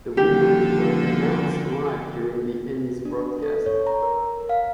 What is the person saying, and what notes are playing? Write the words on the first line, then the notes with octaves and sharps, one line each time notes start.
The winners were announced live during the Emmys broadcast.
D#1 D3 F3 G4 A4
D4
A4
C#5
A#5
A#4
F5